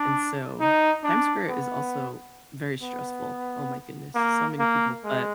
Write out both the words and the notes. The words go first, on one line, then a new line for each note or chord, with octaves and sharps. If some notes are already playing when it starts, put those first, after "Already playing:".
And so Times Square is also very stressful, oh my goodness. So many people, but
Already playing: D4
D#4
D4
B3
B3
A#3
A#3
G#3